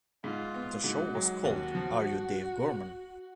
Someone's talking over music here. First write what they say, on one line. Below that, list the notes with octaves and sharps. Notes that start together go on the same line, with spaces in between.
The show was called "Are You Dave Gorman?".
G#2 F4
B3
G#2 F#4
F#3
D#2 F#4
F3